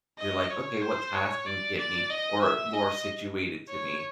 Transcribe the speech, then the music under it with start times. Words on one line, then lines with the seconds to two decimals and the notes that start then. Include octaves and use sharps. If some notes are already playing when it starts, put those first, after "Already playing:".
you're like, "Okay. What task can get me, or more situated to me
0.18 D#5
0.51 C#5
0.82 C5
1.14 C#5
1.46 D5
1.78 D5
2.10 D#5
2.41 E5
2.74 D#5
3.68 C#5